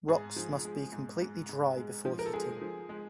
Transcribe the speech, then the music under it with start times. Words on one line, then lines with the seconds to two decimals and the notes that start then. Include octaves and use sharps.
Rocks must be completely dry before heating.
0.08 G#2 G#4
0.36 F3
0.65 G#3
0.93 G#2
1.21 G#2
1.49 G#2
1.77 G#3
2.05 F3
2.19 A#4
2.26 A4
2.33 G#3 G#4
2.61 F3
2.89 G#3